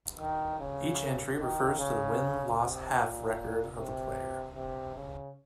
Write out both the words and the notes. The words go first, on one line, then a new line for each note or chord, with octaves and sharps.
Each entry refers to the Win-Loss-Half record of the player.
D#3
C#3
D#3
C#3
C3
A#2
C3
C3
C#3